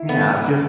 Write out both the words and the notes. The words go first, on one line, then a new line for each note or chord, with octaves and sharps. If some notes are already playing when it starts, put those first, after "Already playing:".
Yeah, if you're
Already playing: E4
A3 B3